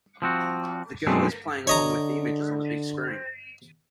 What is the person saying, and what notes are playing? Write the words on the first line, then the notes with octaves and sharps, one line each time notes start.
The girl is playing along with the images on the big screen.
F3 C4 F#4
F#2 B2 G#3 A3 C4 D4
D3 C#5 D#5 A#5